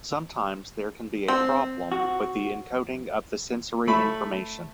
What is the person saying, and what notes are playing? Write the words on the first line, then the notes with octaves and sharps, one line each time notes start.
Sometimes there can be a problem with the encoding of the sensory information.
C4
F#4
A3 B5